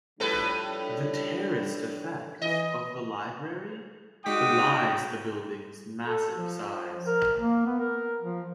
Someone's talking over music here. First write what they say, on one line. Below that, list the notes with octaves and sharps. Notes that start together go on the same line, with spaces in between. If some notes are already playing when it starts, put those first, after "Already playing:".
The terraced effect of the library belies the building's massive size.
A2 F3 G3 D4 A4 B4
E3 D#5
G3 G#3 D#4 F#4 G5 D6 D#6 B6
A4
F3
A#4
A#3
B3
A#4
F3